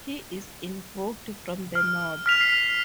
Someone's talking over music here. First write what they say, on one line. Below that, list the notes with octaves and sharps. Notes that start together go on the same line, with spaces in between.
He is invoked from the North.
F6
F6 B6 F7
C7